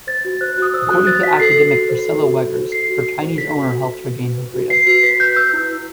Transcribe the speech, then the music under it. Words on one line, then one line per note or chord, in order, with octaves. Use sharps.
According to academic Priscilla Wegars, her Chinese owner helped her gain her freedom.
C5 A6
F#4
C5 F#6
F#4 D#6
C5 E6
F#4 F#6
C5 A6
F#4 B6
A4 C7
F#4
F#4
C5
A4
F#4
F#4
C5
A4 C7
F#4
F#4
C5
A4 B6
F#4
F#4
C5
B4
F#4
B4
F#4
B4 C7
F#4 C7
B4 B6
F#4 G6
B4 E6
E4
B4